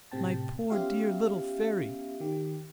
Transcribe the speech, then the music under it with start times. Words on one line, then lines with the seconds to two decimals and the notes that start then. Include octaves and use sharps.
My poor, dear little Fairy!
0.11 A2 C3 C4 G5 A5
0.70 B3 C#4 F4 G4 E5 F5
2.20 D#3 G4